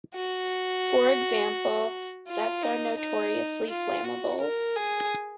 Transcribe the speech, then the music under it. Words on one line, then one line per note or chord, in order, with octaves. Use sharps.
For example, sets are notoriously flammable.
F#4
F4
D#4
D#4
F4
F#4
A#4
G#4